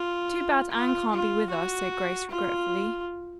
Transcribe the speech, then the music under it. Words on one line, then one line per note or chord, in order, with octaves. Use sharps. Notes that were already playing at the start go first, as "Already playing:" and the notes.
"Too bad Anne can't be with us," said Grace regretfully.
Already playing: F4
F4
F4
F#4
F4